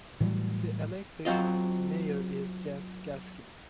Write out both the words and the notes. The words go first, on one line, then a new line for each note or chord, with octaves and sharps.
The elected mayor is Jeff Gaskin.
A2 E3 F#3 G3
F#3 C4 F4 D#5